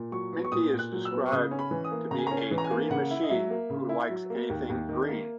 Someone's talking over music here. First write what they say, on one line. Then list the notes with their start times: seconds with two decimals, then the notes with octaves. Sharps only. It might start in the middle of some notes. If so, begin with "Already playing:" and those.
Minty is described to be a green machine, who likes anything green.
Already playing: A#2
0.12 F#3 C#6
0.33 B3
0.44 C#6
0.52 A#2 D#6
0.73 A#2
0.79 F#6
0.92 F#3
1.05 E6
1.11 B3
1.26 C#6
1.32 C#3 D#6
1.51 C#4
1.59 B5
1.71 E3
1.84 D#6
1.92 A#3
2.11 C#3 A#5
2.18 G#5
2.27 C#4 A#5
2.37 G#5
2.51 E3
2.58 A#5
2.64 G#5
2.71 A#3
2.90 C#3 F#5
3.11 E4
3.24 D#5
3.30 F#3 E5
3.50 A#3
3.70 C#3
3.89 E4
4.10 F#3
4.30 A#3
4.50 D#2
4.69 D#2
4.89 D#3
5.09 A#3